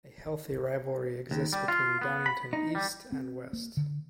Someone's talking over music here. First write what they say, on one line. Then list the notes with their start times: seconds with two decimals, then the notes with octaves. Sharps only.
A healthy rivalry exists between Downingtown East and West.
1.31 D#2
1.53 G3
1.68 F4
2.01 B3
2.26 B5
2.53 D#4
2.75 G3
3.12 C4
3.53 A#3
3.77 D3